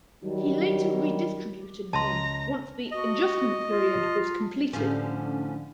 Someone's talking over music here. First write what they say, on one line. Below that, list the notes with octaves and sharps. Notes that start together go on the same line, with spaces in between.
He later redistributed them once the adjustment period was completed.
D#3 F#3 G3
C#2 A5 A#5 C6
F#4 D#5
F4
A2 D3 F3 C#4